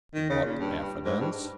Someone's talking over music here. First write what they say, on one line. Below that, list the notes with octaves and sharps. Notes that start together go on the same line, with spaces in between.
"What evidence?"
D#3
C#3
A#2
G2
G#2
G2